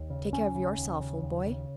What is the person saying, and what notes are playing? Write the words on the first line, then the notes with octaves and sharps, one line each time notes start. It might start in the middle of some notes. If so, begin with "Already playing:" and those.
Take care of yourself, old boy.
Already playing: D#2
C#3
D#2 C#4
C#3
D#2
C#3
D#2
C#3